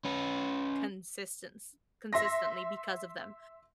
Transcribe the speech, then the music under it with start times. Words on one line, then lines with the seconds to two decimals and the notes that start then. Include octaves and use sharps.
consistence consistently because of them;
0.05 C#4 B4
2.13 E5 C6 A#6